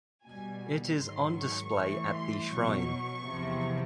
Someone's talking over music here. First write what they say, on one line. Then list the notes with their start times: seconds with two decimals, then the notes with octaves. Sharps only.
It is on display at the shrine.
0.24 B2 G3 G#5
0.99 G#2 D#3 F#3 C6
1.38 C#6
1.75 A2 E3 G3
2.12 C6
2.50 B2 F#3 C#6
3.26 E2 C3 F3